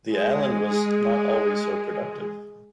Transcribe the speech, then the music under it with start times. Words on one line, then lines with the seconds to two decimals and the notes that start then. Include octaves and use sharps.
The island was not always so productive.
0.11 G#3 G#4